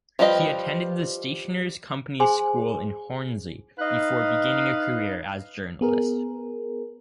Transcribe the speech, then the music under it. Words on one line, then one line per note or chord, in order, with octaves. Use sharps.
He attended the Stationers' Company's School in Hornsey before beginning a career as journalist.
F3 G3 F4 B4 D#5
G#4 C5 G#5 C6
D#4 B4 D#5 F5
B3 G#4 A#4